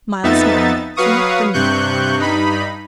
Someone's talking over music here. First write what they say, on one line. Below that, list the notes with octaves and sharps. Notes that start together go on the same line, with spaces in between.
Myles smiled somewhat grimly.
F2 B3 D#4 E5 A6
F#3 B4 F5 C#6 D#6
G2 C3 C#6 F#6 G6
G2 D#4 B5